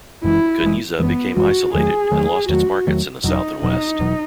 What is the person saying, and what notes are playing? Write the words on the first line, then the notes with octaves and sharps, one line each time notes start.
Kanizsa became isolated and lost its markets in the south and west.
F#1 F#2 E3 G#3 E4
F#1 F#2 E3 G#3
F#1 F#2 E3 G#3 B3
F#1 F#2 E3 G#3 F#4
E2 D#3 F#3 A3 G#4
E2 D#3 F#3 A3
E2 D#3 F#3 A3 F#4
E2 D#3 F#3 A3
E1 E2 B2 F#3 D#4
E1 E2 B2 F#3 D#4
E1 E2 B2 F#3